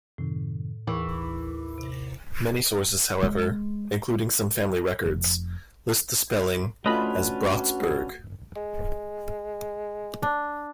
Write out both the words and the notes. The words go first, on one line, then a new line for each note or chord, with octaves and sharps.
Many sources, however, including some family records, list the spelling as "Bratsburg".
F#2 A2 C3 D#3
D#2 E3 G#4 A#4 C#6 D6
C3
G#3
F1
A3 C#4 D4 F4 F#4 B4 D#5 B5
G#3
D4